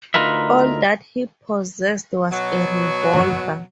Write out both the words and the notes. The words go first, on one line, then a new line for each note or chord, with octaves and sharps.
All that he possessed was a revolver.
D2 D#4 F4 A#4 B4 E5
B2 F#3